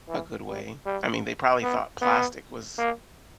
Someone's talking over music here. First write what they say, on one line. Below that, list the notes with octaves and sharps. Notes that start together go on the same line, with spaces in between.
a good way. I mean, they probably thought plastic was
E3
G3
G3
B3
B3
A#3